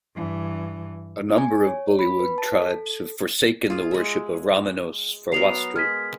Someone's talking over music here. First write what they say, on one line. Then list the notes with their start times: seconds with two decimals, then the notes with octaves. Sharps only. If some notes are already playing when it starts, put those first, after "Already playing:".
A number of bullywug tribes have forsaken the worship of Ramenos for Wastri.
0.15 G2 E3
1.38 G#5
1.67 C#5
1.99 B5
2.19 B4
2.38 A5
2.62 A4
3.70 F4 G#4
3.91 G#3 E5
5.32 F#3 B3 A#4 C7 F7
5.76 G#3 F6 G#6 B6